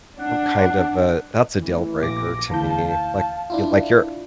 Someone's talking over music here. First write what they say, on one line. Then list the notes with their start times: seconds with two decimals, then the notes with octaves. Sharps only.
I'm kind of a that's a deal breaker to me, like like you're
0.19 D4 F#5
1.59 A1 E3
2.01 A#1 D6 A#6
2.50 D2 E3 F5 A5 G6
3.50 D4 E4 F4